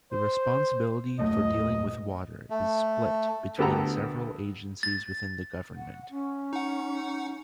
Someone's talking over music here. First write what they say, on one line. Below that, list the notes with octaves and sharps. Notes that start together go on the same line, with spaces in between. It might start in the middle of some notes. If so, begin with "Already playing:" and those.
The responsibility for dealing with water is split between several agencies within the government.
C5
D#1 F#2 A3 D#5
A3
D2 B3 G4 A4 F#5 A#5
A6
F#5
C#4
D#4 F#5